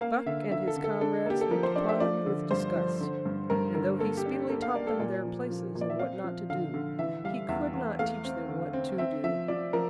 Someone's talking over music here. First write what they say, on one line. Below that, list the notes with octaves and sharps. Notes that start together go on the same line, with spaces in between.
Buck and his comrades looked upon them with disgust, and though he speedily taught them their places and what not to do, he could not teach them what to do.
A#3 F5
D3 E5
D3 E5
A4
D3
A4
D4 A4
A#3 G4
A4
F3 A#4
C5
D4 D5
E5
F3 D5
D3
G2 C5
F3
D3
G2
G2 A#4
D3 A#4
A#3 A4
G4
D4
G4
A#3 A4
F5
A#3 D5
A4
A#2 D5
F3
F3
A#2
D5
E5
C4 F5
F3
D3 F5
D3
E3 E5
G3 F5
E2 E5
E2
A3 F5
C4
D3
C4
C4 E5
F3 E5
F3 D5
F3 A#4